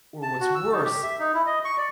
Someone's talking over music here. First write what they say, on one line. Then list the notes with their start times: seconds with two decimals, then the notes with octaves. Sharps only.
or what's worse,
0.22 A5
0.41 F#4
0.55 E6
0.72 D#4
0.84 G4
1.03 E5
1.19 D#4
1.34 E4
1.46 D#5
1.65 C#6
1.78 D5